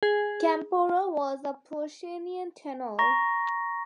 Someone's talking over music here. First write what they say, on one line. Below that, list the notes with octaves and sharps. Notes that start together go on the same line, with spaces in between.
Campora was a Puccinian tenor.
G#4
A#5 C#6 A#6